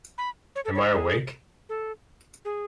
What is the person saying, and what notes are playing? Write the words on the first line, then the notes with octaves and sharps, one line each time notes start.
Am I Awake?
B5
C#5
A4
C#5
G#4
A4
G#4